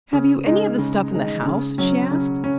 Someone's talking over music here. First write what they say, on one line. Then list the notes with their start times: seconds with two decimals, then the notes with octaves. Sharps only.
"Have you any of the stuff in the house?" she asked.
0.13 C#3
0.46 G#3 D#4
0.78 C#3
1.13 G#3 D#4
1.46 C#3
1.78 F#3 C#4
2.11 C#3
2.44 C#4